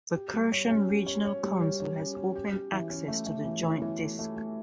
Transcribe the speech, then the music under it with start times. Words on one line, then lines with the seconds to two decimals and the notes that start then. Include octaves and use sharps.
The Kherson Regional Council has opened access to the joint disk.
0.16 G4
0.34 G3
0.52 C#5
0.70 C#4
0.89 G4
1.07 C#5
1.25 C#5
1.43 G3
1.62 C#5
1.80 C#5
1.98 C#4
2.17 C#4
2.35 G4
2.54 G4
2.72 E3
2.90 C#4
3.08 A3
3.26 A3
3.45 E3
3.63 E3
3.82 E3
4.00 A3
4.19 A3
4.36 A3